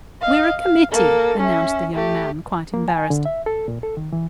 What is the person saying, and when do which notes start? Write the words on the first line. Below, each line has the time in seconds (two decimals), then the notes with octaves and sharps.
"We're a committee," announced the young man, quite embarrassed.
0.21 D#5 F5
0.59 F5
0.91 A#3 A4
1.40 C#4 E5
1.94 A3 G4
2.74 A#3
2.88 G#5
3.10 D3
3.25 E5
3.46 A4
3.68 A#2
3.83 A4
3.97 D#3
4.13 E3